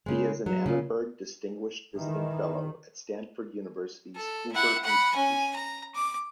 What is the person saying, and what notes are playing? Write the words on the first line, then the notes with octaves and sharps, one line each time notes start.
He is an Annenberg Distinguished Visiting Fellow at Stanford University's Hoover Institution.
C#3 G#3
F#3
C#3 F4
D#3 E3
A4
E4 F#5
F#5 B5
C#4 G#5
A#5
D6